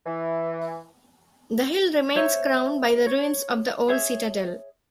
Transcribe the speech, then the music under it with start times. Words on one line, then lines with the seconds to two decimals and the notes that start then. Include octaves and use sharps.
The hill remains crowned by the ruins of the old citadel.
0.06 E3
2.15 C5 C#5 E5
3.06 C#5
3.88 G#4 C#5 E5